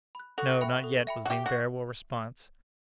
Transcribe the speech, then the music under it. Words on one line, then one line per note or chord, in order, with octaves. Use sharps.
"No, not yet," was the invariable response.
B5 F#6
F#4 A4
E5 G5 B5
A4
E5 G5 B5
F#4
G4 E5
F#4